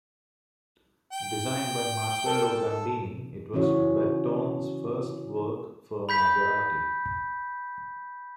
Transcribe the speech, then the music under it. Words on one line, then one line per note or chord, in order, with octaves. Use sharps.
Designed by Marcello Gandini, it was Bertone's first work for Maserati.
G5
A4 A#4
C#3 E3 C#4 E4 F#4 C#5
B5 G6 B6